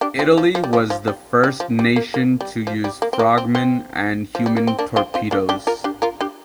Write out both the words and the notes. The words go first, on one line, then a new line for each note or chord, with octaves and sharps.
Italy was the first nation to use frogmen and human torpedoes.
D4 G4
C4 F4
F3
F3
G3
F3
F3
G3
G3
F3
G3
A#3
A#3
G3
F3
G3
A#3
C4
A#3
C4
C4
F3
G3
A#3
C4
A#3 D4
C4 F4
C4 F4
A#3 D4
D4 G4
F4 A#4
D4 G4
F4 A#4
D4 G4